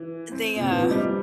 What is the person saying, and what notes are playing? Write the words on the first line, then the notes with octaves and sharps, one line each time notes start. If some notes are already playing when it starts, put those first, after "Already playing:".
they, uh
Already playing: E3
C4
A#2
C3
E3
F3
G3